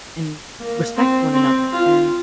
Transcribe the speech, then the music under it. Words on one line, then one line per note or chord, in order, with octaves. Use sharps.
and respect one another, and
A#3
C4
C4
F4